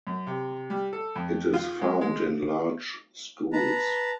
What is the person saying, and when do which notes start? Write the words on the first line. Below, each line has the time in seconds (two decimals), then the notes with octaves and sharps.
It is found in large schools.
0.07 F#2
0.27 C3
0.70 G3
0.93 A4
1.16 F2
1.54 F4
1.81 G#3
2.01 G#3
3.52 B4 A5 A#5